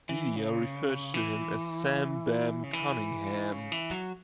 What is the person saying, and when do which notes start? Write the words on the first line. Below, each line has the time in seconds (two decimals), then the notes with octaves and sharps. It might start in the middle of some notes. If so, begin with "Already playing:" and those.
The media referred to him as Sam "Bam" Cunningham.
0.09 E3
0.36 C#3
1.14 E3
2.63 C#3
2.73 E3
3.52 C#3
3.72 E3
3.91 F#3